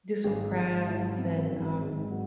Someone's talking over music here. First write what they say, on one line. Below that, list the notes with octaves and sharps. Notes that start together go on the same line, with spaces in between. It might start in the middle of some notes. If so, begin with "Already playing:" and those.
do some crafts and, um,
G#1 G#4
G#2
F#3 E4
C4
G#1
G#2
F#3 F#4